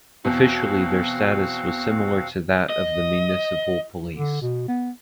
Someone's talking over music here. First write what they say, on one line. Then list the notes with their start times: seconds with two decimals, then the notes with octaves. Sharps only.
Officially their status was similar to that of the Municipal Police.
0.25 E2 B2 C4 F#4 F5
2.70 D#5
4.16 D3
4.42 B2
4.68 B3